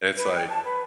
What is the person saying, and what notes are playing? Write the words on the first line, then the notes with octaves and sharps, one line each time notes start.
It's, like,
B4
G5
A5
B4